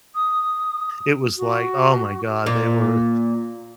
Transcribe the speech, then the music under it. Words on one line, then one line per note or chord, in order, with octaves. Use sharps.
it was like oh my god, they were
D#6
F#4
A#2